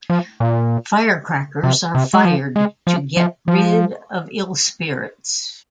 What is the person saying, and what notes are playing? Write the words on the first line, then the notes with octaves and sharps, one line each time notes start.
Firecrackers are fired to get rid of ill spirits.
F3
A#2
C3
C3
G#3
F3
G#3
F3
F3
F3